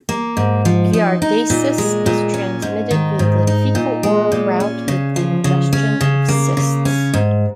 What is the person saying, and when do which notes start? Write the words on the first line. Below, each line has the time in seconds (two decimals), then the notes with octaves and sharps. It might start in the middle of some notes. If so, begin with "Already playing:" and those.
Giardiasis is transmitted via the fecal-oral route with the ingestion of cysts.
0.09 A#3
0.37 G#2
0.65 F3
0.93 D#4
1.22 D#4
1.50 A#2
1.78 G#3
2.06 A#2
2.34 C#4
2.62 G#2
2.91 D#3
3.19 G#2
3.47 D#4
3.75 A#2
4.03 G#3
4.32 A#2
4.60 C#4
4.88 C#3
5.16 F3
5.44 C#3
5.73 C#4
6.01 C#3
6.29 A#3
6.57 C#3
6.85 C#4
7.14 G#2